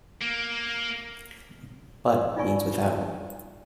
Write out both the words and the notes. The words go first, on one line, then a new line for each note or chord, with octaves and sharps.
"But" means without.
A#3
D#4 F4 D5 G#5 C#6